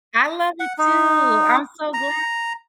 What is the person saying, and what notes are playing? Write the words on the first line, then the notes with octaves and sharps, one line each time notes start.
I love it too, I'm so glad.
F#5
D#4
A#5